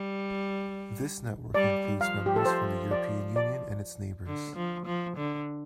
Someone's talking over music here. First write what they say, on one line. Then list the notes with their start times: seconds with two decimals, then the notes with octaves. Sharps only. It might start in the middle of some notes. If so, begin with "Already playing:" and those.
This network includes members from the European Union and its neighbors.
Already playing: G3
1.54 G3 D5
2.01 F3 F5
2.26 G4
2.36 A4
2.46 C5
2.91 D5
3.36 D5
4.26 D3
4.56 F3
4.86 F3
5.17 D3